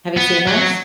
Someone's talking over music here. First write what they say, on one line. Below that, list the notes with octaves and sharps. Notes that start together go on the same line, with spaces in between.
Have you seen those?
B3
F#3